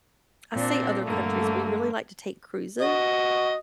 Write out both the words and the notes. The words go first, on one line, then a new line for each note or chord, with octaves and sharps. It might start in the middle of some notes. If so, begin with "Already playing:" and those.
I say other countries, we really like to take cruises,
A#2 C4 D4
G2 D3 A3 A#3
F#4 D#5